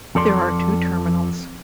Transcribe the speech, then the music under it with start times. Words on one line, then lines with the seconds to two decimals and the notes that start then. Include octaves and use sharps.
There are two terminals.
0.15 F2 A4 D5 C6